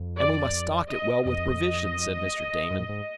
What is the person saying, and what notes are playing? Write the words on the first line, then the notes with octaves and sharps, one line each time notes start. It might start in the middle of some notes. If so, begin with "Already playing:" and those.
"And we must stock it well with provisions," said Mr. Damon.
Already playing: F2
D5
D#5
F2 D#5
F#2
G#2